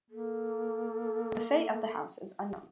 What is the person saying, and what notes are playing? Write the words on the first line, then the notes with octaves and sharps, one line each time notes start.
The fate of the house is unknown.
A#3 A4